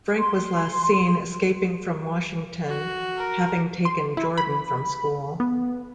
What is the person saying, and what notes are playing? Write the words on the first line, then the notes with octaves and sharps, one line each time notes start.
Frank was last seen escaping from Washington, having taken Jordan from school.
C6
F#4
A#4
C6
E4
B5
B3